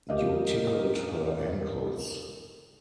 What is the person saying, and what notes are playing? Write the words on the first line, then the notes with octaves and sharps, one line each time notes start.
You tickled her ankles.
G4 A#4 D#5 F5